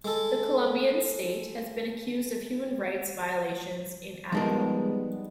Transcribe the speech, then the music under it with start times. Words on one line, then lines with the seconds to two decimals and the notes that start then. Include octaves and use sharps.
The Colombian state has been accused of human rights violations in Ataco.
0.05 G#3 A4
4.32 F3 G3 G#3 B3 D#4 A#4